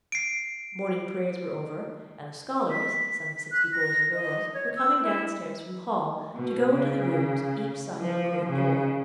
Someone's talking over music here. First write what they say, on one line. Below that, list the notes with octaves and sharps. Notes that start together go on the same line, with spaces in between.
Morning prayers were over, and the scholars, some sixty boys and girls, were coming downstairs from the hall, to go into the rooms, each side of a great door.
C7 D7
B6
F#6
A#6
D#5
C#5
E6
E4
B2
C#3
F3
C#3